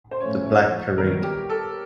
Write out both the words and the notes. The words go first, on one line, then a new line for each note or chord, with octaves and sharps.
The Black Parade.
C5
A2 F3 A3 C#4 C#5
C#5
D#3 G3 B3 A#4
G4
A4